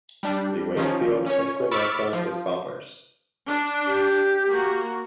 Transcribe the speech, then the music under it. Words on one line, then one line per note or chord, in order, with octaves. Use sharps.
The Wakefield High School mascot is Bombers.
G3 D4
D#3 F3 C#4
C#4 C#5
B5 C#6 D6 E6 F6 A6
F3
D4
G4
A#3 F#4